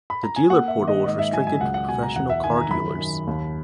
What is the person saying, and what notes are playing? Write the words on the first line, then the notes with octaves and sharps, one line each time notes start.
The dealer portal is restricted to professional car dealers.
B5
A#5
G#5
A#3 F#5
E5
D#3
D#5
G#2 D#5
E5
F#3 G#5
G#5
C#2 F#5
F#5
B2 G#5
A#5
E2 F#5
E5
D#3 G#5
A#5
F#2 B5
D#3
D#2